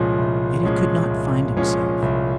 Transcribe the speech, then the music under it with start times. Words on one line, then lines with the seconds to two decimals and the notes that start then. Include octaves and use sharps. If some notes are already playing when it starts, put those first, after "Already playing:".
Yet he could not find himself.
Already playing: C2 A#2 F3 G#3 C#4
0.18 C2
0.64 A#2 F3 G#3 C#4
1.11 C2
1.57 A#2 F3 G#3 C#4
2.02 C2